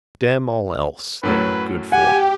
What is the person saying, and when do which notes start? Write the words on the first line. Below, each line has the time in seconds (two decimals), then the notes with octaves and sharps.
Damn all else they are good for.
1.23 F#2 A2 F#3 B4
1.92 G4 F#5 G#5